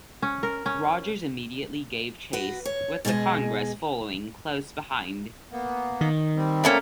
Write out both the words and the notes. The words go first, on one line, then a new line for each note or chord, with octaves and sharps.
Rodgers immediately gave chase, with the "Congress" following close behind.
C#4
A#4
C#4
F#4 B4
C#5
B2 G#3 G#4 B4 D#5
A#3 B3
D#3
G3 C4
A3 A#3 C#4